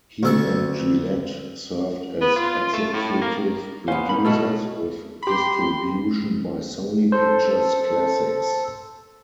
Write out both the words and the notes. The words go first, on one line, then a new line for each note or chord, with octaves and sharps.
He and Jillette served as executive producers, with distribution by Sony Pictures Classics.
D2 A4 C#6
B3
F4
A3
A2
A#3
B3 C#4 C5 F5
A#3 D#4 B5
B2 A3 E4 F#4 A4 F6
G4 B5 C6
A4 C5